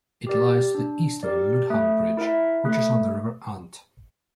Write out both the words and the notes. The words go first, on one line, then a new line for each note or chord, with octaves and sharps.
It lies to the East of Ludham Bridge, which is on the River Ant.
G4 A#4 D5
D4
G4 A#4 D5
A3
E4 A#4 E5
A3